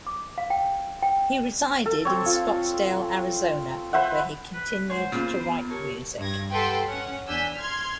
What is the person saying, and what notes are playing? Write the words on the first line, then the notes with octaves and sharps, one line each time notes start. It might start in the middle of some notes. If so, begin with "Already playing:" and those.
He resided in Scottsdale, Arizona, where he continued to write music.
D6
F5
G5
G5
A4
C4 C#5
F4
B4 C5 E5 F#5
B4
G#3 C5 C#5 F#5 C6
A#2 C#3 B3 C#4 F4
B3 A#5
G4 A#4 C#5 A5
G2 G#6 A#6
G4 A4 B4 F#5 G5 C6
C#4 F#5
E2 D4 G#5 E6 G6 B6
C6 F6 G#6